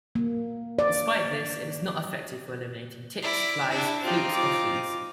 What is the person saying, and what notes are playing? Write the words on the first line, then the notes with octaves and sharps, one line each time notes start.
Despite this, it is not effective for eliminating ticks, flies, flukes, or fleas.
A#3
D5
E4 D5
D4 E4
C4 D#4 F4 G4
F4 D6